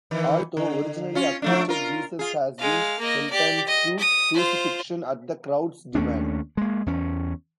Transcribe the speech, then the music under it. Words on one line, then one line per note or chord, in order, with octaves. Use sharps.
Although originally acquitted, Jesus has been sentenced to crucifixion at the crowd's demand.
D#3 E3
D3
C#4 F4
F3 A3 D4
F4 A#4
F4 G#4
G#3 F5
A#3 D#5
G4 D5
D#5
D#6
F4 C5
D#2 A3 C#4 D4
G#3 A#3
E2 C#4